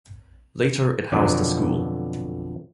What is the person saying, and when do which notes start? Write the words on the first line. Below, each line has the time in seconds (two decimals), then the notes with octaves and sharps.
Later it housed a school.
1.12 F2 B2 D3 F#3 D5 D#5